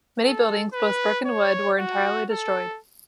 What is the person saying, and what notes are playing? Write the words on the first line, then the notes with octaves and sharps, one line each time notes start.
Many buildings, both brick and wood, were entirely destroyed.
A4
B4
C#5
F#4
A4